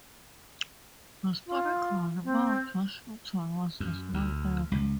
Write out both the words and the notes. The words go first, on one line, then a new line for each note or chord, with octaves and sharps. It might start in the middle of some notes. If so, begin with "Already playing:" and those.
Historically, Mount Washington was a small area.
F4
C4
F#2
D2
C#2